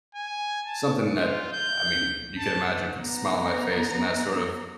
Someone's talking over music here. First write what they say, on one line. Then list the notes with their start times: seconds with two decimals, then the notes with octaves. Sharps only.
something that, I mean, you can imagine, puts a smile on my face, and that sort of
0.15 G#5
0.66 A5
1.15 F4
1.53 G6
2.39 A5
2.98 B3 A#5